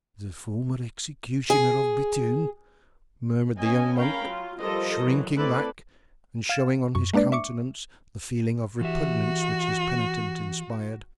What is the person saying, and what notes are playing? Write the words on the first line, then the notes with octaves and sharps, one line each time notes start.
"The former executioner of Bethune!" murmured the young monk, shrinking back and showing on his countenance the feeling of repugnance which his penitent inspired.
G#4
B3 C#4 D#5 G#5
C#4 A#4 F5 G5 A#5 B5
F#3 F4
F3 G3 A4 A#4 C5 D#5
E3 F#3
A3 C4 E4 A4 B4 D5
F5 F6 G#6 A6 E7
F#2 C#6
G#3 A#3 D4 B4 D5
E5 C#6 D6 C#7
E3 F#4 G4 E5